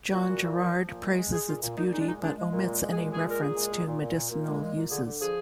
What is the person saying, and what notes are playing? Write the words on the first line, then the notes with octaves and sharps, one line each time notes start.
John Gerard praises its beauty but omits any reference to medicinal uses.
A#2 F#4
A#2
A#2
F3
F3
A#2
G#3
G#3
G#3 G#4
A#2 F4
A#2
A#2 D#4
G#3 D#4
D4
A#2 D#4
G#3 D4
G#3
A#2
G#3
G#3
G#4
A#2
G#3 G#4
A#2 A#4
A#2 G#4
G#3
A#2
A#2
A#2
A#2
A#2
G#3
A#2
A#2
D3 G#4
D3
F3 G#4